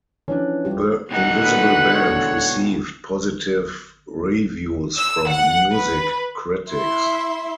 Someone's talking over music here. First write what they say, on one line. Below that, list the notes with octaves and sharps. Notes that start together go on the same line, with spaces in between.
"The Invisible Band" received positive reviews from music critics.
E3 F3 C#4 D4
G3 F4 G4
B2 E3 D#4 F#4 F#5
D3 B4
C#5
E6
F#5
B4
E4 E5 C6